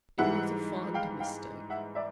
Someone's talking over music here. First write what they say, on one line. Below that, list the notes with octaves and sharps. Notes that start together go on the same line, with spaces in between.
It was a fond mistake.
G#2 E3 G3 E5 F#5
F5 G5
F5 G5
E5 F#5
D5 E5